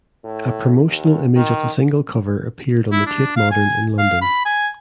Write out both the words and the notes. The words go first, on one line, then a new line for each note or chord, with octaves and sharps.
A promotional image of the single cover appeared on the Tate Modern in London.
A2
D#2
D#3
E4
D4
F5
G#5
F5
B5
G#5